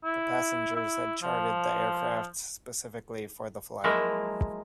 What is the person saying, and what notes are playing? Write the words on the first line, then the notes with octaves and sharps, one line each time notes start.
The passengers had chartered the aircraft specifically for the flight.
E4
E4
F3
F3 F#3 G#3 A#3 E4 A#4